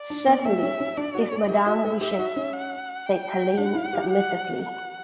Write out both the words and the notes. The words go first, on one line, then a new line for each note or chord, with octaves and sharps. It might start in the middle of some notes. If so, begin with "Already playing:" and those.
"Certainly, if madame wishes," said Helene submissively.
Already playing: D5
D4
B3
A3 E5
C#4
C#4
D4 D5
F#4
A4
G4 E5
F#4
A4
G4 E5
F#4
C#4
F#5
G5
D4 F#5
E4
G4
F#5
F#5